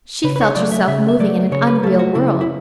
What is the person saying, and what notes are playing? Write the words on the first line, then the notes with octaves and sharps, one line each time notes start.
She felt herself moving in an unreal world.
C#3 B4
B4
C#5
F#3 A3 D5
E5
C#3 E5
E5
F#3 A3 D5
C#3 C#5
B4
F#3 A3 A4
F#4
C#3 E4
E4